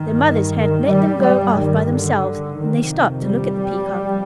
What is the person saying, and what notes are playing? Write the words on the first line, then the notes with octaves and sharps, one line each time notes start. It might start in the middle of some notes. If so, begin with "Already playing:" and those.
Their mothers had let them go off by themselves, and they stopped to look at the Peacock.
Already playing: G2 D#3
D#3
G3
G2 G3
D#3
D3
F2 C3 D#3
G3
F2